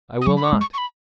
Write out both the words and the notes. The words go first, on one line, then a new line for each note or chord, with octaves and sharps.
"I will not."
D#6
F#3 C#6
B5
C#6
G#3
C#6
C#6
B5